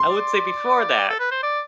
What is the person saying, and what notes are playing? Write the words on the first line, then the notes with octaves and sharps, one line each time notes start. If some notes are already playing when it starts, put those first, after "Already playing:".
I would say before that,
Already playing: C6
D5
A4
B4
C5
D5